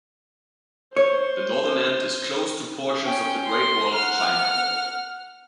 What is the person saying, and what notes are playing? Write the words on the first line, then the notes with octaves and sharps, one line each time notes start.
The northern end is close to portions of the Great Wall of China.
C5 C#5
C#4 G5
C6
F#5 F6